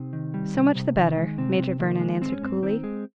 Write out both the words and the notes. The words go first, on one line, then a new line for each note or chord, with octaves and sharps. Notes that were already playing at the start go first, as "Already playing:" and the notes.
"So much the better," Major Vernon answered, coolly.
Already playing: C3 C4 D#4
D#3
G3
C3
C3
D#3
G#3
C3 C4
C3
D#3 A#3
G#3
G#2 C4
C#4
G#2 C4
D#3 C4
G#3